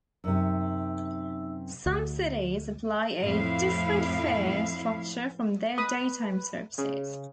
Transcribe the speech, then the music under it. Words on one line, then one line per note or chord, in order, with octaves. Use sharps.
Some cities apply a different fare structure from their daytime services.
F#2 C3 D#4 E5 E6
D2
F2 A2 E4 F5
B4 D#6
C#3